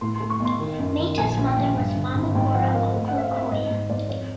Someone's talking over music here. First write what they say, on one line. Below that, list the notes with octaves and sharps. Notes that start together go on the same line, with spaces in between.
Mayta's mother was Mama Cora Ocllo Coya.
A2 C6
C6
A3
C#6
B1
C6
D#3
F#2
D#3
A#1 G#5
A#1
G5
A#1
G2
D3
G#1
G#2 G5
F3 F#5
A#3 F5
A3
F#5
C4
E5
F5
C4
E5
G#2 D#5
G#2
G#2 D5
F2 C#5